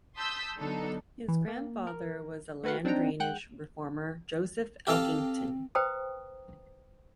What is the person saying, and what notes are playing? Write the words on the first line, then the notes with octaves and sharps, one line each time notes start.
His grandfather was the land drainage reformer Joseph Elkington.
A5 C6 D#6 E6 G6 B6
D3 F#3 B3 D4 D#4 A4
E3
A#3
A#4
A3 F#4 B4 F5 F#5
C4 D4 D#4 F#5 G5 A#5
G#3 F#5 G5 F#6 G6
C4 G4 A4 F5
B4 C5 G5 A#5 D#6